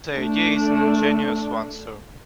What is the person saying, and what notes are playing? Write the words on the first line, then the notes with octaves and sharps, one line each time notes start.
The idea is an ingenious one, sir.
A3 D4